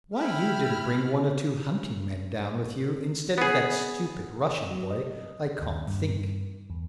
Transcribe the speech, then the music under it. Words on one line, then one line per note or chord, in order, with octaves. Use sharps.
"Why you didn't bring one or two hunting men down with you, instead of that stupid Russian boy, I can't think."
E4 G5 B5 F6
B3 G#4
F#3
D#5
D#2
G2
E2